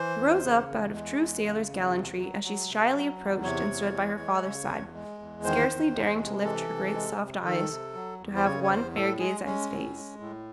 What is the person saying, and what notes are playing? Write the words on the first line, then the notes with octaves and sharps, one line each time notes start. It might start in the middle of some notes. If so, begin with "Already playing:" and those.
He rose up out of true sailor's gallantry, as she shyly approached and stood by her father's side, scarcely daring to lift her great soft eyes, to have one fair gaze at his face.
Already playing: E3 C5
E2
C#3
E2
G#3
E2
C#3
E2
C3
F#3
F#3
C3
F#3
E2
C3 C#5
E2
E3
G#3
C#3
E2
G#3
E2
D#3 C5
E2
G#3
C3
E3 A4
C3
G#3
C3
D#3 A4
C3
F#3
E2
C5
C#3 C#5
C#5
E2 C5
A2 A4
G#3 G#4
G#3 C#4
A2
G#3
A2